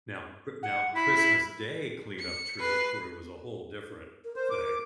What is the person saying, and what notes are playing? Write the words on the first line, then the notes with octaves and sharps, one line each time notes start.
Now, Chr now Christmas Day cleanup true crew was a whole different thing.
F#5
E4 B5
E4
C#7
B4 C7
A#4
A#4 C5
D6